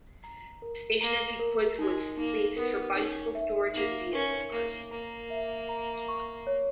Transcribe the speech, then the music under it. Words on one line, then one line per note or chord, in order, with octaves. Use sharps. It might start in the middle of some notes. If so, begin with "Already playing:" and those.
The station is equipped with space for bicycle storage and vehicle parking.
A#5
A#4
A#3 A#5
A#4
G#3 D#4
A#3 D#4
B3 A#4
C#4 D#4
E5
A#3 D#4
C#4 A#4
A#3 A#4
A#3 A#5
E5
A#5
C#6
C#5